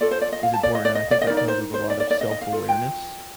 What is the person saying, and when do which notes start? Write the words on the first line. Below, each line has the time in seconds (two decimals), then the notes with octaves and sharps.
is important, and I think that comes with a lot of self-awareness
0.01 F4 A4 D5
0.11 C5
0.22 D5
0.32 D#5
0.43 F5
0.53 A5
0.63 D5
0.75 D#5
0.85 D5
0.95 D#5
1.11 D5
1.21 D#5
1.27 A#4 D5
1.30 D#4
1.37 D5
1.48 C5
1.74 C5
1.90 D5
2.00 D5
2.11 D5
2.21 D#5
2.31 D#5
2.41 F5
2.52 F4 A4
2.68 G5